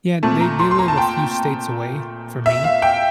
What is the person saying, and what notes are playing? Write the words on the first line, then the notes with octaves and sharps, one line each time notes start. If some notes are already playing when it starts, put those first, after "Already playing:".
Yeah, they they live a few states away from me.
A#2 A3 C4 A5
A#5
C6
C6
A#5
A5
G5
E5
F5
G5